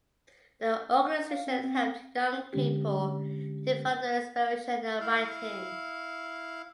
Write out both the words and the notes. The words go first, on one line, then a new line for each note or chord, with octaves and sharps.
The organization helped young people develop their inspiration and writing.
F5
C4
C4
D3 G#3 C#4 G4
E4 F5